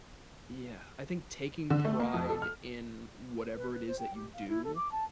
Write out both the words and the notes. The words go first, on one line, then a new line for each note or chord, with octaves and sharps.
Yeah, I think taking pride in whatever it is that you do,
D3
A3
A#3
F2
A4
F6
B4
B4
C5
G5
G4
F5
E4
A4
D6
A5